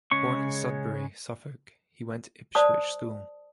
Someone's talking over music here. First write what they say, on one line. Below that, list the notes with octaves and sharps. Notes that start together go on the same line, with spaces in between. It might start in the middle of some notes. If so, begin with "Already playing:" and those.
Born in Sudbury, Suffolk, he went to Ipswich School.
C#3 G#3 C#4 C#6
C5 D5 A5 D#6